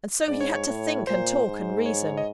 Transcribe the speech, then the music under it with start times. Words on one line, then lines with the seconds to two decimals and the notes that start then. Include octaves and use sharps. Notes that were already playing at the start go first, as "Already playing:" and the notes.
And so he had to think, and talk, and reason.
0.28 G#2 D5
0.41 C#5
0.54 C#5
0.67 A2
1.07 A#2 C5
1.46 G#2
1.86 C#5
2.17 D#5